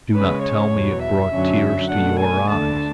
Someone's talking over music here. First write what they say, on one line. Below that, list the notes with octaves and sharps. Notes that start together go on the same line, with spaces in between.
Do not tell me it brought tears to your eyes.
C#3 G#3 C#4 B4
C#5
E2 B2 F#3
E5
F#2 D3 F#3 C#4
B2 A3 D4 F#5
G#5
D2 D3 A3 D4 A5